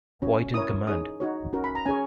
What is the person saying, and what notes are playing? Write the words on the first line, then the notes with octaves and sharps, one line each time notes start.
White in command.
C#4 F#4 C#5
E4 A#4 C#5 D#6
D#4 G#4 C#5 D#6
D#4 F#4 C#5
C#4 F#4 A#4
B5
A#5
C#4 G#4 C#5 G#5